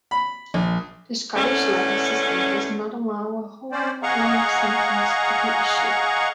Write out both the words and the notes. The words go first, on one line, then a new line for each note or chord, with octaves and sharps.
The Scottish legal system does not allow a whole life sentence to be issued.
B5
A#1
E2 D3 A3 C#4
C#4 C5 D5
G#4 D#5 F5 F#5 A#5 C#6